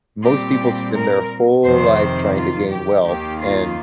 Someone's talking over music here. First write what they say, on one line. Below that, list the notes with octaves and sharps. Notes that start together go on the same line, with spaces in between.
Most people spend their whole life trying to gain wealth, and
A#2 G3 C4 G4
A#4
F2 C3 D#3 C5
F4
G4
D#2 D#3 A#3 G4
F4